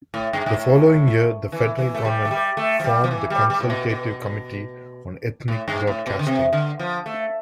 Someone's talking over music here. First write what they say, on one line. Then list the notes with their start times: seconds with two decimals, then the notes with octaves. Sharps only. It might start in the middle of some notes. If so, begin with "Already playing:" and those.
The following year, the Federal Government formed the Consultative Committee on Ethnic Broadcasting.
0.14 A2
0.33 G2
0.46 G2
0.53 A2
1.52 E3
1.78 E3
1.95 A3
2.05 G3
2.25 A3
2.31 G3
2.57 A3
2.80 F3
2.84 G3
3.04 F3
3.11 E3
3.30 G3
3.50 G3
3.60 A2
3.70 B2
3.90 B2
5.48 A2
5.68 G2
5.87 A2
6.07 B2
6.19 D3
6.27 C3
6.53 D3
6.79 F3
7.06 A3